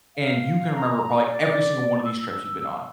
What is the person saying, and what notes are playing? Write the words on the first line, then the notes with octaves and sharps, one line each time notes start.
And you can remember probably every single one of these trips you've been on.
F5
A#5
D5
E6